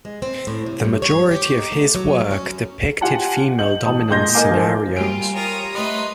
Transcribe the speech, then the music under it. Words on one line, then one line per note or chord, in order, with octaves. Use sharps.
The majority of his work depicted female dominance scenarios.
G#3
C4
A2
C3
G2
C#5
G4
D#4
A3
F#3
C#4
F#2
F4 G4 F#5 G#5 A5
D#5 G6 F#7
A1 A5 D#6
A#2 G#3 C6 G6 G#6 A#6
A#4 D#5 F5 G#5 D6
F3 A#4 C5
G3 F4 G#5 D7
F4 A#4 C#5 A#5 D#6
A3 G4 B4 D#5 C6